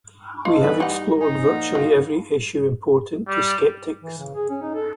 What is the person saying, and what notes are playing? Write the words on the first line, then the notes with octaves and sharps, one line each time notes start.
We have explored virtually every issue important to skeptics.
D#4 F4 B4 D#5 A5
E3 G3 B3 B4
E3 G3 D#4 G4 F#5 B5
D#4 G#5 A#5
A#2 F3 A#3 F#5
F#3 F#4 A#4 F5
G3
E3
C#3
G#4
C#4
D#4
A4